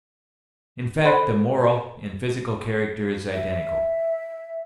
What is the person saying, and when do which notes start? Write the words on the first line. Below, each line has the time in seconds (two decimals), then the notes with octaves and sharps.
In fact, the moral and physical character is identical.
1.04 A4 C5 B5 C6 F#6
3.33 E5